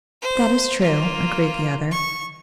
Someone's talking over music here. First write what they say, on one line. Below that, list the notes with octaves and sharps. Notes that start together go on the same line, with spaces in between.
"That is true," agreed the other.
C5
A#3 F4
C#6